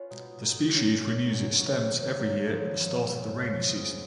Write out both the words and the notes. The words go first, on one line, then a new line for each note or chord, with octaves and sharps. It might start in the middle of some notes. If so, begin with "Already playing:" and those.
The species renews its stems every year at the start of the rainy season.
Already playing: C#4 F4 B4
B2 G#3 D#4
B2 G#3 D#4
G#3 C#4 F#4 A#4
G#3 C#4 F#4 A#4
F#2 C#3 F#3 B3
F#2 C#3 F#3 B3
D#3 F#3 A#3
D#3 F#3 A#3
F#2 F3 G#3 B3
F#2 F3 G#3 B3
F2 C#3 G#3
F2 C#3 G#3
F3 B3 F4 G#4